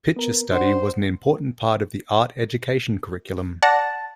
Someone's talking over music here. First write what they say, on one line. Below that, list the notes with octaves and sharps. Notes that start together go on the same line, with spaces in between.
Picture study was an important part of the art education curriculum.
B3 A#4
D4 C5 F#5
D5 F#5 A5 A#6